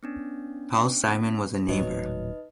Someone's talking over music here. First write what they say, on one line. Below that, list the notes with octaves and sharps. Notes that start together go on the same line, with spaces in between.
Paul Simon was a neighbor.
B3 C#4 D4
D#1 A2 F#3 D#4 B4 D#5